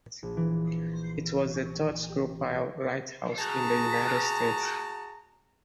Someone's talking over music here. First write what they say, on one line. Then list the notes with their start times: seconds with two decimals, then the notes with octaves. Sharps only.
It was the third screw-pile lighthouse in the United States.
0.23 A#1
0.37 E3
1.65 C#6
2.10 G4
3.39 F#4 G#4 A5 A#5